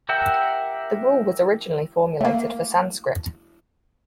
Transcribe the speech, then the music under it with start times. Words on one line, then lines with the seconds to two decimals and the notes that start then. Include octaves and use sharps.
The rule was originally formulated for Sanskrit.
0.09 G4 A#4 E5 F#5 G5
2.21 A3 A#3